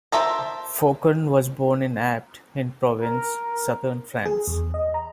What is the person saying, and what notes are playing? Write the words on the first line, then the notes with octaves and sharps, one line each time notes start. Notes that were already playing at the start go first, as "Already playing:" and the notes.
Faucon was born in Apt, in Provence, southern France.
A#4 C5 E5 A5 A#5
A#4
G#4
E2
D#5
A#5